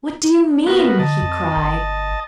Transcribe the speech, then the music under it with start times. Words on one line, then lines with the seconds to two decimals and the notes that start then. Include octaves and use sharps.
"What do you mean?" he cried.
0.66 A#3 B3 F#4
0.99 D3 D#5 A5
1.22 F2
1.56 G1